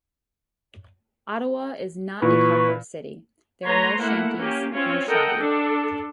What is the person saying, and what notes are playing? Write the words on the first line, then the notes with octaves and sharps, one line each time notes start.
Ottawa is not a cardboard city; there are no shanties, no shoddy.
A#2 E3 B4 C#6
A3 B4 C#5 A#5 C6
A3 A#3 E4 F#5
A#3 C#4 G4
C4 C#4 F4 C#5
A4 A#4 D#5 F#5 G5
D4 A4